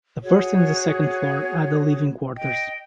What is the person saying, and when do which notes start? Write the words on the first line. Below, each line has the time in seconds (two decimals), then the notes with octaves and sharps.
The first and the second floor are the living quarters.
0.23 F#4 G#4 C#5
2.36 D#5 G5